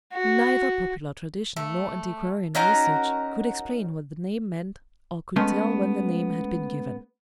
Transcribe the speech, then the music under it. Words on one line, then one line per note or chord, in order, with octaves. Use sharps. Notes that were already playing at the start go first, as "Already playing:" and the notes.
Neither popular tradition nor antiquarian research could explain what the name meant, or could tell when the name had been given.
F#4
A3
C#4 D#4 F#4 A#4
G#3 A3 B3 C#4